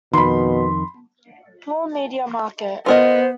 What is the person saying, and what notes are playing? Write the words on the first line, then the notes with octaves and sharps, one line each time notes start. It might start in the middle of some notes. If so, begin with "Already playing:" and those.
Paul media market.
F2 B2 D#3 B5 C6
B3 F4 A#4 C5 D#5